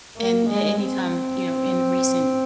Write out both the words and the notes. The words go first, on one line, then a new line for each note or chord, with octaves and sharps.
an a any time, you know, in recent
A#3
G#3
C4